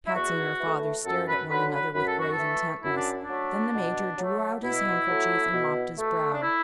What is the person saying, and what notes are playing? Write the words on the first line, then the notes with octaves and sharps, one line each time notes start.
Patsy and her father stared at one another with grave intentness. Then the Major drew out his handkerchief and mopped his brow.
E4
E2 F#4
E3 A3
F#2 A4
B4
D3 F#3 B4
B4
F#2 B4
A4
F#4
A4
E3 A3
F#2 E4
D4
D4
F#3 A3
B2
F#3 A3
B2 E4
F#3 A3
B2
A3
D4
E4